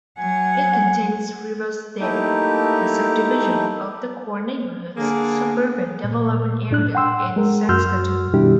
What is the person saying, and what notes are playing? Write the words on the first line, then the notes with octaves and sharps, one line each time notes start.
It contains Riversdale, a subdivision of the Core Neighbourhoods Suburban Development Area in Saskatoon.
F#3 F#5 G#5
A3 A#3 D#4 E4 G4
D3 A#3 G#4
A#2
A2 D4 F#6
F#5 G5 C6 E6
G#3 A#4
F#2 F#4 C6 E6 F6 G6
B2 D#3 G3 D4 E4 G4